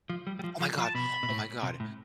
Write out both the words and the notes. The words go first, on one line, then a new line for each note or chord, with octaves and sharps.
Oh my god. Oh my god.
F3
G3
G3
F3
F3
F3
A5
B2 B5
B2
A2
C3
A2